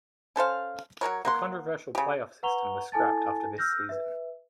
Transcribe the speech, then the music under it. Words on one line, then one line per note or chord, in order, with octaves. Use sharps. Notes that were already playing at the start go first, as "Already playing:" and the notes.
The controversial play-off system was scrapped after this season.
C#4 A4 C5 F5
F#3 G#3 A#4 C#5
A#3 F#5 C6
C#3 G4
B4 F#5 A#5 C#6 F7 G7
E4 A4 G#5 A5 A6
E6 F6 G6 A#6
B4 E5